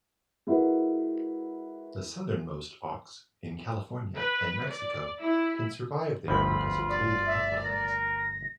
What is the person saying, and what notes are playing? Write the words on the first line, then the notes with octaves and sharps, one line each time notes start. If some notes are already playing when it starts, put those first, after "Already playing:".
The southernmost auks, in California and Mexico, can survive there because of cold upwellings.
G#3 E4 F#4 A#4 B4
B4
D5
E4
G1 D2 F3 F4 B5
D5
E5
A#4 A#6